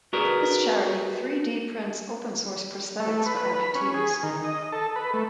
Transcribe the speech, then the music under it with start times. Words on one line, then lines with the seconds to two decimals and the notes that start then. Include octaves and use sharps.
This charity three-d prints open source prosthetics for amputees.
0.13 F#4 G#4 A#4 B4 D5
3.00 A3
3.26 B4
3.61 B5
3.75 C#4
3.94 G#4
4.23 D#3
4.44 D#5
4.72 A4
4.96 B4
5.14 A3